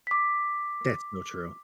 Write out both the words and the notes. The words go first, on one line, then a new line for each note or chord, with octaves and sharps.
That's so true.
D6 B6